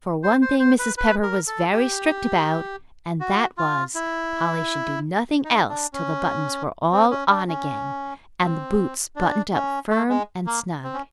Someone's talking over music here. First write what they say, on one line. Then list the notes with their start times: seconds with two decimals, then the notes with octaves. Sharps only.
For one thing Mrs. Pepper was very strict about--and that was, Polly should do nothing else till the buttons were all on again, and the boots buttoned up firm and snug.
0.23 C5
0.42 C5
0.60 C5
0.79 B4
0.98 B4
1.23 A#4
1.47 A4
1.72 G4
3.20 F#4
3.58 F4
3.95 E4
5.45 D#4
5.69 D4
5.93 C#4
6.92 C4
7.11 C#4
7.30 D4
7.48 C#4
8.42 C4
9.16 D4
9.53 C#4
9.90 A3
10.09 G#3
10.47 A#3
10.84 C4
10.94 C#4